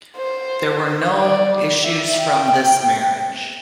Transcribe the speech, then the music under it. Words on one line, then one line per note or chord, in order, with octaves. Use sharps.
There were no issue from this marriage.
C5
D5
E5
G5